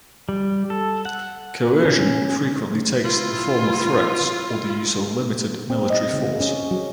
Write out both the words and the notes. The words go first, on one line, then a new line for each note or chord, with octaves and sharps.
Coercion frequently takes the form of threats or the use of limited military force.
G3
A4
F#5
C#4
E4 F4
C4
D#5
C#3
C#4
F#3